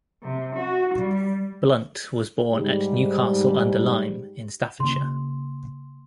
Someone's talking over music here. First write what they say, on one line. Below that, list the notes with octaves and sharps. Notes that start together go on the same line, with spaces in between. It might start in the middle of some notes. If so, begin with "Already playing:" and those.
Blunt was born at Newcastle-under-Lyme in Staffordshire.
C3
F#4
G3
G#2 G3
C#3 A#3 C6